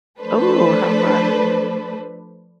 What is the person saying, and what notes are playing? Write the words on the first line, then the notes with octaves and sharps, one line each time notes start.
Ooh, how fun.
F3 A3 D4 A4 B4 C5